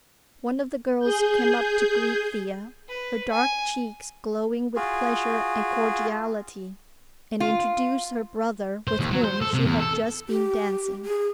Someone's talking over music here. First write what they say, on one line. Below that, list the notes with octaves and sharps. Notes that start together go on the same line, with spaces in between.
One of the girls came up to greet Thea, her dark cheeks glowing with pleasure and cordiality, and introduced her brother, with whom she had just been dancing.
G#4 G6
B4
G#5
F4 F#4 G#4
F4
C5
D#2
F#3
C5
A4
C3
E2
A4
G4
G#4